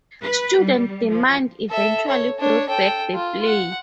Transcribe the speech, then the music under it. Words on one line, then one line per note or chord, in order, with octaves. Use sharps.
Student demand eventually brought back the play.
B4
G3
F3
A4 E5
C#5
D4 C#5
A4 G5
F4
F#5